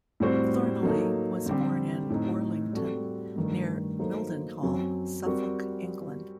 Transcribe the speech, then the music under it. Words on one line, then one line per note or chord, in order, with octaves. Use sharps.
Thornalley was born in Worlington, near Mildenhall, Suffolk, England.
A2 G3 C4 F#4 C5
F#3 A#3 D#4 A4
D3 G3 C4 G4
A2 A3 C4 D#4
G3 C4 F#4 A4
G2 D#3 A3 D#4
F#3 A#3 D#4 A4 C5
F#2 F#3 C4
G3 C4 F#4 A#4